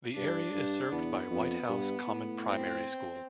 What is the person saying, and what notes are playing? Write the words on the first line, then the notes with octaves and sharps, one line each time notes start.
The area is served by Whitehouse Common Primary School.
G2 D4
G2
E2 B3
F2
G2
A2
C4